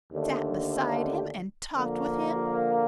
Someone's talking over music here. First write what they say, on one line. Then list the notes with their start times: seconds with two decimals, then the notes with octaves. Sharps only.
Sat beside him and talked with him!
0.13 D#2 D3 A3 D4
1.77 D3 F3 A#3